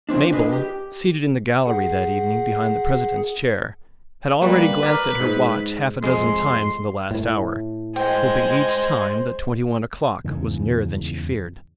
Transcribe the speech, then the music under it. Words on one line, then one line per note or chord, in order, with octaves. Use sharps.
Mabel, seated in the gallery that evening behind the President's chair, had already glanced at her watch half-a-dozen times in the last hour, hoping each time that twenty-one o'clock was nearer than she feared.
F3 A#3 C4 D4
D4 G#4 B4 D#5
G4
G#4 F#5
G3 A#3 B4
A#4 D5
G#2
F2 G#3 C6
A2
G#3 C5 G5
E2 G#2 C#3